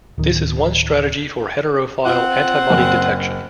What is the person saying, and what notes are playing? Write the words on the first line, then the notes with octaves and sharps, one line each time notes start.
This is one strategy for heterophile antibody detection.
D1 D#3
C4 F4 F#5
F#1